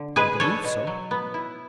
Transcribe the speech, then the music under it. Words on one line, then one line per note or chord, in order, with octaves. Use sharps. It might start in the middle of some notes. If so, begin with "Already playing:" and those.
"I believe so."
Already playing: D3
G#3 G#4 B4
D4 A4 C#5
B2
F#3
B3
E4